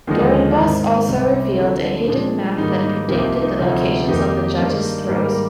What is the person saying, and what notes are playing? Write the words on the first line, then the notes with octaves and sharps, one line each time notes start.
Dorenbos also revealed a hidden map that predicted the locations of the judges' throws.
D#2 D3 F3 G#3 D#4
G#2 D#3 G#3 C4
C2 C3 G3 C4
D2 D3 F3 C4
A#2 F3 G#3 D4
G#2 D#3 G3 A#3 D#4
D#4
C2 C3 F3 A#3 D#4 G4
D#4
D2 C3 F3 C4
F2 D#3 A#3 D#4 G4
G2 D#3 A#3
G#2 D#3 G3 A#3 G4 A#4
G4 A#4